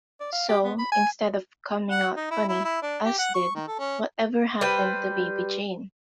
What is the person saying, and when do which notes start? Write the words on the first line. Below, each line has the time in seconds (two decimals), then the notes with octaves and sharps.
So, instead of coming out funny, as did Whatever Happened to Baby Jane?
0.21 D5
0.33 F5
0.49 G4
0.64 B3
0.79 B5
0.92 G#5
1.91 F#5
2.17 D#4
2.31 E4
2.49 E4
2.64 E4
2.82 D4
3.05 G4
3.19 F#5
3.34 C#6
3.55 D#3
3.68 A4
3.79 C#4
4.61 G3 B4 C5 G5